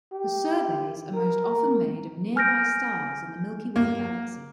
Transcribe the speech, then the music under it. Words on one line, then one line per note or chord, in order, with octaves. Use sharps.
The surveys are most often made of nearby stars in the Milky Way Galaxy.
G4
A#4
G#5 F6 G6 A#6 D7
A#3